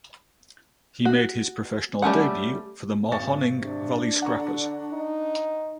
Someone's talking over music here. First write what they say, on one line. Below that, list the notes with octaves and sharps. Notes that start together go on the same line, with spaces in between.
He made his professional debut for the Mahoning Valley Scrappers.
F#4
G3 A3 C#4 F#5
G#1 C#6 A6
C3 D4
D3 F#5 A#5 C#6
D#4